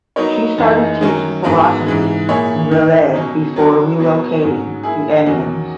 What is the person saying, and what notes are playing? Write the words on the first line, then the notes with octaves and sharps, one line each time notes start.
She started teaching philosophy in Lille before relocating to Amiens.
F#3 B3 D#4 A#4 C#5
F#2 E3 A#3 D#4 G#4
D#3 F#3 C#4 F#4 A#4
G#2 F#3 B3 F#4 A#4
G#2 E3 G#3
A#2 A#3 E4 G#4 C#5
D#3 A#3 D#4
B2 F#3 C#4
F#3 C#4 F#4 A#4
B2 F#3 B3
G#2 F#3 C#4
A#3 E4 G#4
E2 D#3 F#3 C#4 F#4